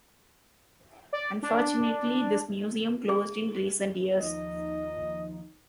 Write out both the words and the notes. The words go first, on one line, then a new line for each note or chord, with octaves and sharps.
Unfortunately, this Museum closed in recent years.
D5
D4
G#4
D#2 F3 D#4 D#5